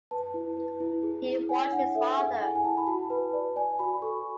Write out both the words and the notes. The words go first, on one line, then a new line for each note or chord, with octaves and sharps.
He watched his father.
B4 A5
E4
B4
E4
G#4
E4
C#5 G#5
D4 F#5
A4 E5
G#5
G#4 F#5
E4 G#5
G#5
E4 A5
B5
F#4 A5
B4
D5
D5 G#5
F#4 B5
A4 C#6